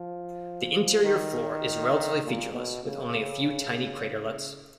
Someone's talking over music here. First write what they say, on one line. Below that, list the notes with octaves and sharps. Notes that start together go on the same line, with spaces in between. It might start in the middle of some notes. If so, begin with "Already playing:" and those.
The interior floor is relatively featureless, with only a few tiny craterlets.
Already playing: F3
D#3
A#2
B2
C#3